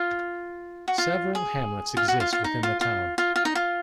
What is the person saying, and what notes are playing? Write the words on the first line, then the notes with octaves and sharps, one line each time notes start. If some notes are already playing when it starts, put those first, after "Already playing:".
Several hamlets exist within the town.
Already playing: F4
F#4
F4
G#4
F4
F#4
F4
F4
D#4
F4
F4
F4
F4
D#4
F4